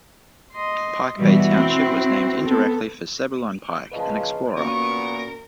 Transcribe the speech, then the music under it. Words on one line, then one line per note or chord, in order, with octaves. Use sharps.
Pike Bay Township was named indirectly for Zebulon Pike, an explorer.
D#5 C6
B2 E3 G3 E4 F#4
C4
B3 A4
A#2 C#3 F3 B4 D#5 A5
A#2 A#3 B3 C#4 F#4 A#4 C#6